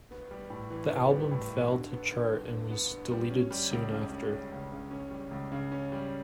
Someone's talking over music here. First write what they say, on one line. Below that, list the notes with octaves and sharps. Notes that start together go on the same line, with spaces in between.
The album failed to chart and was deleted soon after.
B3
G3
A2
E3
B3
G3
A2
E3
D3
B3
D3
G3
D3
B3
D3
G3
C#4
G3
C#2
C#3
C#4
G3
C#2
C#3
C#4
G3
C#2
C#3
C#4
G3